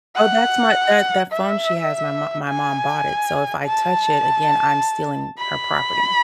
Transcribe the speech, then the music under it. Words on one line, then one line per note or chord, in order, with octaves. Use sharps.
Oh, that's my that that phone she has, my mo my mom bought it. So, if I touch it again, I'm stealing her property.
F#5
E5
G#5
A5
B5